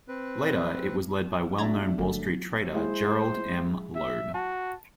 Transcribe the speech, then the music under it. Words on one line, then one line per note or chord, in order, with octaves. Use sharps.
Later, it was led by well known Wall Street trader Gerald M. Loeb.
C4 B4
B1 D4 E5 A#5 G#6 A6
G1 A3
G#3 E4 G#4 C5
E5
F#4 A5